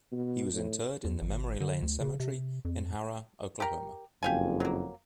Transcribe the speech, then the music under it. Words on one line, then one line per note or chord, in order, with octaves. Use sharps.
He was interred in the Memory Lane Cemetery in Harrah, Oklahoma.
B2
A2
E2
G#1
D3
D2
C#3
C3
F2
G4 A#4
F#1 F2 G4 F5 G#5
F#3 A#3